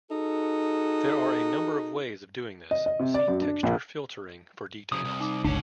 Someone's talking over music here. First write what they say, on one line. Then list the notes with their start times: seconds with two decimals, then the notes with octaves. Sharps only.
There are a number of ways of doing this; see "texture filtering" for details.
0.11 D#4 F#4 G#4 A4
2.71 D#5
2.86 D#5
2.99 C3
3.14 D5
3.28 F#2
3.42 D4
3.63 A#1
4.92 C#3 F#3 D#6
5.05 C2
5.20 D#4 D6
5.45 G1 C#2 B2 C#4 D4 C#5